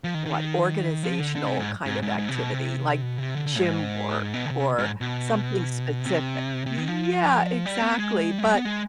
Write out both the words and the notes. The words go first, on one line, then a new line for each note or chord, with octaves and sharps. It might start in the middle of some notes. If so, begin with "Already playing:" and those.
what, organizational kind of activity, like, gym work or something specific. Yeah, exactly, but,
F3
D#3
D#3
F3
D3
D3
C3
G#2
G#2
G#2
G#2
C3
B2
C3
B2
C3
D3
D3
G#2
B2
D3
C3
G#2
B2
C3
C3
D#3
F3
G3
B3
G#3
G3
G#3
G3
B3
G#3